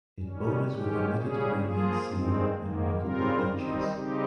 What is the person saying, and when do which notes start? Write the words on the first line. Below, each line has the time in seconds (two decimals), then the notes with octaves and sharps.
It borders with the Mediterranean sea and multiple beaches.
0.22 D#3 G3 C#4
0.68 G#2 D#3 G#3 C#4 G4
1.15 C#3 G3 C#4 G#4
1.61 F3 A#3 F4 G#4
2.07 G2 D#3 G#3 C4
2.54 G#2 D#3 A#3
3.00 C#3 G3 C4 F4 A#4
3.47 D#3 G3 C4 D#4
3.93 C#3 G3 C4 D#4 G4